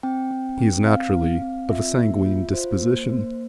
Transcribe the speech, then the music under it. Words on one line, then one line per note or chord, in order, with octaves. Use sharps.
He is naturally of a sanguine disposition.
C4 G5
C4
C4
C4 F5
C4
C4
F4 E5
A#3
F4
F4 C5
A#3
A#3